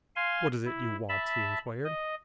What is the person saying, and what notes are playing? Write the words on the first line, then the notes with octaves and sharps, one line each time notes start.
"What is it you want?" he inquired.
F5 G#5 C6
E4
E5 A5 B5
D#5